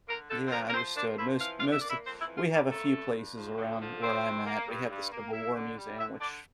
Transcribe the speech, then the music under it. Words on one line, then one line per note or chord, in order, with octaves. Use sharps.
Yeah, understood, most most th we have a few places around where I'm at. We have this civil war museum, which
D3 A#3 A#4
D3 A3 A4
C5
F3 A#3 A#4
A#4
F3 C4 C5
A#3 D4 D5
F3 E4 E5
E3 F5
F4 F5
D4
E5
D5
A#3
E4 E5
F2 C4 C5
E4
E3
F4
G3 A#3 G4
G2 A3 A4
G2
G2
F3
D3
F3
G2 C4 C5
G2
A#3
G2
G2
A#3
A#3 E4 E5
D3
G3
D3 E4 E5
D3 D4 D5